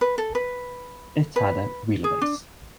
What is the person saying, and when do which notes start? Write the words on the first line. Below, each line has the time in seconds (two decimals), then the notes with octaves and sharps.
It had a wheelbase.
0.01 B4
0.18 A4
0.35 B4
1.36 B4
2.04 G#4
2.22 D4